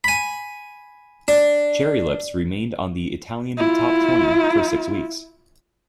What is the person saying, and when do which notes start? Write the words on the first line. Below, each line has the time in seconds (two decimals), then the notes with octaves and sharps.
"Cherry Lips" remained on the Italian top twenty for six weeks.
0.04 G#5 B5
1.28 D4
3.58 E4 F4